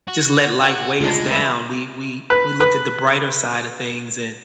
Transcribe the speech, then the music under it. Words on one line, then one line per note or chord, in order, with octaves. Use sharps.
just let life weigh us down, we we we looked at the brighter side of things and,
F#4
F#4
D2 G#3 D4 F4
B4 E5
B4
B4